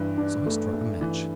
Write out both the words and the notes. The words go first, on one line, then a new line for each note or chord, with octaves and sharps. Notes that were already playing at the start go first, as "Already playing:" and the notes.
So he struck a match.
Already playing: G2 E3
D4
A3
A3
E3